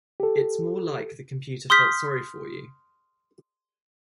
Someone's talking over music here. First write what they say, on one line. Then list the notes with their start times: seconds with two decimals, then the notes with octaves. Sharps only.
It's more like the computer felt sorry for you.
0.20 G4 A4
1.70 C6 D#6 F6 G6 B6